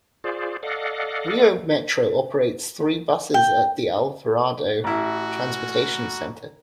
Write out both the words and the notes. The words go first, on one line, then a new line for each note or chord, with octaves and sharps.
Rio Metro operates three buses at the Alvarado Transportation Center.
F4 G#4 C5 D5
A4 D5 D#5 F5 F#5
G5
A1 E4 F#4